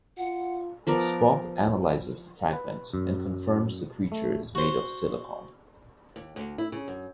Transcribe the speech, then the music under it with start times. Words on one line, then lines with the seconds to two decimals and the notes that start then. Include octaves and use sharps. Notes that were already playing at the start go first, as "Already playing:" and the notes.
Spock analyzes the fragment, and confirms the creature is made of silicon.
0.18 F4 F#5
0.87 F3 B3 A#4 D5
2.53 B4
2.93 F#2
4.12 A3
4.55 F#4 C5
6.16 D#2
6.36 D2
6.58 E4
6.72 C#3
6.88 F#2